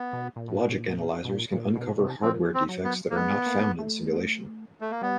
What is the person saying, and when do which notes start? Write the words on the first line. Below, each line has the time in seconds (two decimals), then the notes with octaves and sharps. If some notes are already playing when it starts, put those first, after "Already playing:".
Logic analyzers can uncover hardware defects that are not found in simulation.
Already playing: B3
0.13 B2
0.36 A#2
0.48 A2
0.60 A#2
1.24 B2
1.29 A#2
1.52 A#2
1.76 B2
1.99 C3
2.22 F3 C4
2.54 C4
2.69 F#3
2.84 B3
3.10 A#3
3.16 G#3 B3
3.46 A#3
3.79 A3
4.81 A3
4.91 A#3
5.02 G3 B3